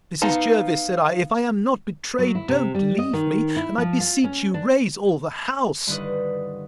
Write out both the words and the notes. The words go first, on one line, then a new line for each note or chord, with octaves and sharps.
Mrs. Jervis, said I, if I am not betrayed, don't leave me; and, I beseech you, raise all the house.
B3 D#4 F5 A5
F#3
E4
C3
G3
D#5
D#3
E4
F3
F4
C#4
D4
G2 D3 D#3 E4 B4 D#5